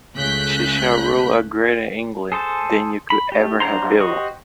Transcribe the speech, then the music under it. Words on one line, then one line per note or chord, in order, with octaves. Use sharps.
She shall rule a greater England than you could ever have built.
C#2 C#3 A3 F#6 G6 B6
G#4 A4 C5 A5
B5
A3 G4
F#3 D4 C5 A#5 C6
F#4 G4 C5 D#5 C#6